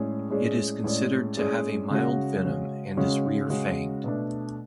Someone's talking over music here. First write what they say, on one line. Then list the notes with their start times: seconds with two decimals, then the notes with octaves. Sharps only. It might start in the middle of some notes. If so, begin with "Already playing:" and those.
It is considered to have a mild venom and is rear-fanged.
Already playing: A2 G#3 C#4 G#4 D5
0.30 A2 G#3 C#4 G#4 D5
0.84 A2 G#3 C#4 G#4 D5
1.37 A2 G#3 C#4 G#4 D5
1.90 C#3 G#3 C#4 F#4
2.43 C#3 G#3 C#4 F#4
2.97 C#3 G#3 C#4 F#4
3.50 C#3 G#3 C#4 F#4
4.04 B2 A3 D4